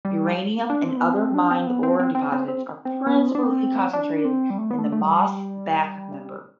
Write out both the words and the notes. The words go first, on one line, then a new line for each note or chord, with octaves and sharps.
Uranium and other mined ore deposits are principally concentrated in the Moss Back Member.
G3
D4
C4
B3
C4
D4
C4
B3
C4
C4
C4
C4
C4
C4
B3
C4
D4
C4
D4
C4
G3
A3
B3
A3
A3
G3